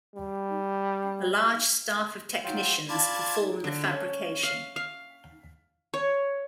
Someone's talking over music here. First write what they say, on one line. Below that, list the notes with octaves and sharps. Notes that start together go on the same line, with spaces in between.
A large staff of technicians perform the fabrication.
G3
F#3 F4 G5
F4 D5 A5 B5 G#6
D3
C#4
F5
F5
C#5